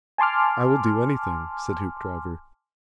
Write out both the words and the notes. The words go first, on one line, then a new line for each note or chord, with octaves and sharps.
"I will do anything," said Hoopdriver.
G#5 A5 C6 D6 F6